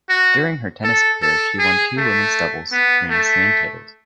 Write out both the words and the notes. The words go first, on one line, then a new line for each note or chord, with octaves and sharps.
During her tennis career, she won two women's doubles Grand Slam titles.
F#4
A4
A4
G#4
A3
B3
A3